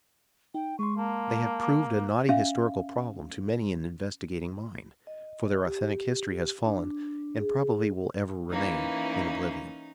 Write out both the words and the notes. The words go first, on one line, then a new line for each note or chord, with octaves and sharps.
They have proved a knotty historical problem to many an investigating mind; for their authentic history has fallen, and probably will ever remain in oblivion.
D#4 G5
G#3 C6 C#6
A#3 A5
C#4 E5 F5
D#5
G4
D4
G#4
E3 A#3 C#4 D#4 E4